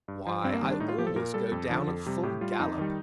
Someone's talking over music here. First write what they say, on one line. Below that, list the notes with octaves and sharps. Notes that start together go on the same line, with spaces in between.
Why, I always go down at full gallop.
G2
F3
G2 C4
A#3
D#3 G3 C4
D4
A2 D#4
F4
F3 G4
A4
A#2 A#4
G3 A4
F2
D3 F3
F2
C3 G3
A2 G4
G3 F4
F4
F2 D#4
D#3 G3